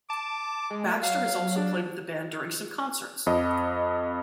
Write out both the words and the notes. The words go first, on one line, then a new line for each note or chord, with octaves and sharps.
Baxter has also played with the band during some concerts.
A5 D6
G#3
A3
F#3 F5
D4
F2 D#5